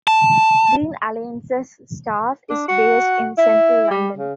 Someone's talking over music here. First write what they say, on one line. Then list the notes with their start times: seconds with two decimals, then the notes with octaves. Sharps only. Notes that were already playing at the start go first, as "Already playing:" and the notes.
Green Alliance's staff is based in central London.
0.07 A5
2.50 D4
2.68 F#4
3.38 E4
3.91 G3
4.17 C#3